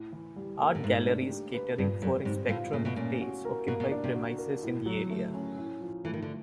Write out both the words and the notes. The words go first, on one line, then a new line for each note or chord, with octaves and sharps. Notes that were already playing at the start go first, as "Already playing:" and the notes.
Art galleries catering for a spectrum of tastes occupy premises in the area.
Already playing: A2
E3
G3
A#3
A2
G#2 A3
D4
G4
B4
G2 A#2
F#2 G3
G#2 C4
A2 F4
A#2 A3
B2
A#2 C#4
F#4
A#4
B2 A#3
B2
D4
C3
F#4
A#4
A2
F#3
A3
C#4
A2
F3
E3 A3
D#3
D3